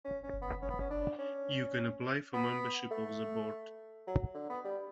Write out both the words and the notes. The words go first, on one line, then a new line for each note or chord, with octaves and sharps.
You can apply for membership of the board.
C#4
C#4
B3
C#4
B3
C#4
D4
C#4
B3
A3
F#3
D3
B3
G3